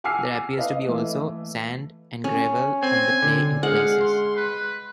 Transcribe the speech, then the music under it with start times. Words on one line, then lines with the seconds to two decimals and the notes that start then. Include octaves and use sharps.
There appears to be also, sand and gravel on the clay in places.
0.04 F#5 G#5 D6 E6 F6 C7
0.57 B4 D#5 F5
0.86 E3 A3
2.24 C#4
2.83 C4 G#5
3.22 D3
3.63 G#3 F5 F#5
4.00 C6
4.36 B4